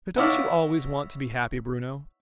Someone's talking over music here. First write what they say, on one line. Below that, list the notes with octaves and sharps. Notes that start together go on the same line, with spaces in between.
"But don't you always want to be happy, Bruno?"
B3 D#4 E4 C#5 D5 F5